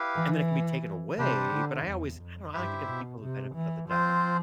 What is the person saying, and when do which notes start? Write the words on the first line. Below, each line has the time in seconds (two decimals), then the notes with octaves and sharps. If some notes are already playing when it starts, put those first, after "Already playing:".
and then it can be taken away, but I always I don't know, I like to give the people the benefit of the doubt.
Already playing: E4 G4 B4 F5
0.16 E3
1.17 C3 G3 D4 G4 C5
1.52 D3
1.86 E2
2.20 F2
2.53 G2 E4 G4 C5 E5
2.87 B2
3.21 C3
3.55 E3
3.89 F3 C4 F4 C5